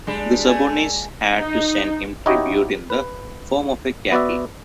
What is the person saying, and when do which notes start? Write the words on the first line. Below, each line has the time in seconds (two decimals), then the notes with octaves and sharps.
The subordinates had to send him tribute in the form of cattle.
0.07 G3 G#3 D4
0.47 A3 G#5
1.37 D#4
2.26 D#4 E4 F#4 G4 C#5 D#5
2.90 B4
4.12 B3 F#4 D5 E5